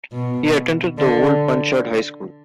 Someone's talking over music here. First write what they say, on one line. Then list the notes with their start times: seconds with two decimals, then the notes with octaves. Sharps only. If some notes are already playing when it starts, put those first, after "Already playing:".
He attended the old Punchard High School.
0.12 B2
0.98 D3